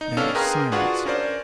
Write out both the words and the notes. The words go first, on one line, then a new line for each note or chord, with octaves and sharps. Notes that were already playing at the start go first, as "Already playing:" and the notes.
There was silence.
D#4
B3 C#4 D4 A4 F5 F6
G#4 A#4 B4 G5 A#5 C6
D4 F4 F#4 G#4 B4 F#5
C#4 A#4 C5 D5